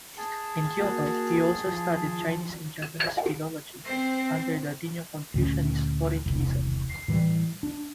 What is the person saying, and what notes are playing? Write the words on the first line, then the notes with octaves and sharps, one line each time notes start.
In Kyoto, he also studied Chinese and Japanese philology under the neo-Confucianist Hori Keizan.
G#4 A5
A#3 F#4
F3
C4 C5
D2 A#2 C#4
E1 C2
A2 E3 F3 G3
D4